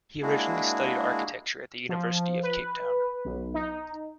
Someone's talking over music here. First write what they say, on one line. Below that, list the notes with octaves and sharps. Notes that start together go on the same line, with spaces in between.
He originally studied architecture at the University of Cape Town.
G#3 A#3 D4 E4 F#4 G#4
F3
B4
B1
D#4